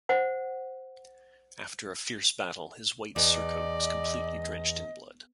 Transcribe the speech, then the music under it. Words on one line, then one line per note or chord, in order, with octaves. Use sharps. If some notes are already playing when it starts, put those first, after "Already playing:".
After a fierce battle, his white surcoat was completely drenched in blood.
C5 F#5
E2 D5 D#5